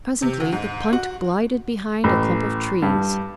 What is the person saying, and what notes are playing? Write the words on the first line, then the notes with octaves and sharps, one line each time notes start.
Presently the punt glided behind a clump of trees.
C3
D2
G#2
F#4
A1
G2